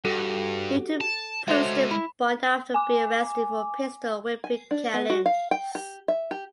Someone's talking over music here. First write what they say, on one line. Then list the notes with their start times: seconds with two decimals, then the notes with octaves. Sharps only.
Newton posted bond after being arrested for pistol-whipping Callins.
0.05 G2 F#4 G4 A4
1.01 A5
1.48 G#3 F#4 A4 C5 C#5 E5
1.91 E4 B5
2.74 G#5 D6
4.44 G#5
4.71 D4
4.94 B3
5.10 F#4
5.26 F5
5.51 G5
5.75 G4
6.08 E5
6.31 G4